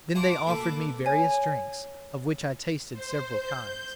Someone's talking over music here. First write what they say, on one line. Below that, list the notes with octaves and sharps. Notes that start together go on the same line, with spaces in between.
Then they offered me various drinks, of which I tasted several kinds.
F4 F#5 A5 D6
A#3 A4 B4 A5
C#5 G#5
C5
G6